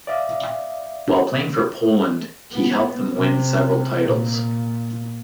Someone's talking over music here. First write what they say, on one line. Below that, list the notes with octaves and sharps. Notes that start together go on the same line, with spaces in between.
While playing for Poland, he helped them win several titles.
D5 E5 F5
B3
C3
A#2